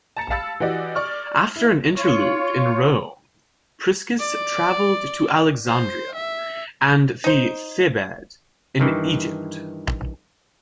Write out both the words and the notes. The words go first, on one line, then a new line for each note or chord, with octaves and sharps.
After an interlude in Rome, Priscus traveled to Alexandria and the Thebaid in Egypt.
A5 A#5 A6 C#7
F5 A5 B5 E6 A6 C#7
E3 F#4 G4 D5 D#5
D5 C#6 F6
E4
F4 C#5
D5
C5
E5
D#4 C5
G2 D#3 E3